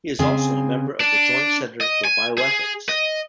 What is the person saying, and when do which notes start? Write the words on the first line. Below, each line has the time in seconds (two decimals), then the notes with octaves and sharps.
He is also a member of the Joint Centre for Bioethics.
0.19 C#3 C4 G#4 G#5
1.00 D4
1.81 D#5
2.05 G#5
2.38 G#4
2.89 D#5